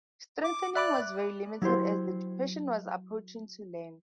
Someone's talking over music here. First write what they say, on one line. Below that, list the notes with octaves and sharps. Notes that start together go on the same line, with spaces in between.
Strengthening was very limited as the depression was approaching to land.
D6
D5 E5 B5 D6 F#6
F#3 E4 G4 C5 C6